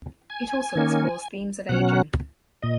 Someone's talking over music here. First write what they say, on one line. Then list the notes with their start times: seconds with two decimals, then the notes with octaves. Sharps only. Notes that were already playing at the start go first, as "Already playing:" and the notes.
It also explores themes of aging.
0.30 G#5
0.75 D#3 A#3 C#4
1.69 B2 F#3 C#4 F#5
2.62 A#2 D#5